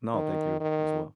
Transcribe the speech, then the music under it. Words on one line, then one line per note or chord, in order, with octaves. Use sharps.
No, thank you, as well.
D#3
D#3